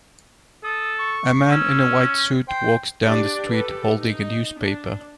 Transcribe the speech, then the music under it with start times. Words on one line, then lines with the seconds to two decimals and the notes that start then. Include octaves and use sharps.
A man in a white suit walks down the street holding a newspaper.
0.64 A4 D#6
0.99 C#6
1.51 C#4 E6
2.48 C5 G5
3.04 D4 G4 D5
3.51 G4 A4 B4
3.96 D#4
4.59 D4